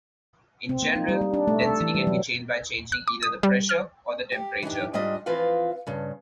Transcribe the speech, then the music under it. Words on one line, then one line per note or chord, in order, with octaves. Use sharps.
In general, density can be changed by changing either the pressure or the temperature.
C4
A#3
D#4
G3
G3
D4
A3
A4
E3
G3
F#3
F#6
D6
D#6
G3
F6
G4
E3 D4 D#4 G4
G#2 G3 D4 F4 D#5
E3 F3 C4 F4 B4 F5
G2 C#3